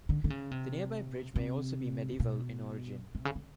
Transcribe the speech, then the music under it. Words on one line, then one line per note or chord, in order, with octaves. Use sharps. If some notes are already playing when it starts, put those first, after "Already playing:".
The nearby bridge may also be medieval in origin.
D3
D3
C#3
C3
C3
B2
C3
C#3
D3